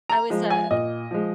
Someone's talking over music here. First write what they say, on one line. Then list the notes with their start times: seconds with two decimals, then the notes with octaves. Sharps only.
I was, uh
0.09 A#5
0.30 F3 G#3
0.50 G#5
0.71 A#2 D#5
1.11 F3 G#3